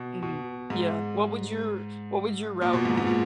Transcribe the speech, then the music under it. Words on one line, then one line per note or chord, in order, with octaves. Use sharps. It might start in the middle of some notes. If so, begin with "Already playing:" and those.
Mm, yeah. What would your what would your route be?
Already playing: B2
B2
G#2
A#2
B2
G#2
G#2
A#2